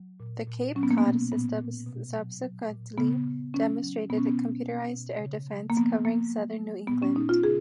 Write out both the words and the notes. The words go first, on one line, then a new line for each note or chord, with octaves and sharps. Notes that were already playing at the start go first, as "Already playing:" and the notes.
The Cape Cod System subsequently demonstrated computerized air defence covering southern New England.
Already playing: F#3
A#2
A#2
F#3 C#4
B3
A#3
B3
B2
A#2 B3
A#2
B2
F#3
F#3
A#2
C#3 B3
C#3
F#3 C#4
F#3
B2 B3
C#4
B3
B2
B2
B2
C#3
F#3
A#3
F3 B3
F3 A#3
F#3
F#3
A#2 B3
C#4
A#2 D#4
F4
C#3 G#4